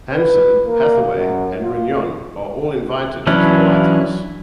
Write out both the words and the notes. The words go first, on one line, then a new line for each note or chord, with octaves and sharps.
Hanson, Hathaway and Runyon are all invited to the White House.
B4
A#3
F#2
F4
E3 F#3 C#4 D4 E4